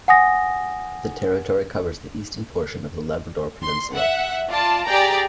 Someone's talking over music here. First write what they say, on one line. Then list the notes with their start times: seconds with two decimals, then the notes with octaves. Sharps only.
The territory covers the eastern portion of the Labrador peninsula.
0.08 F#5 G#5 D#6 A#6
3.62 C6
3.93 E5 F#5
4.50 F4 D5 A5
4.86 G4 G#4 D5 G5 A#5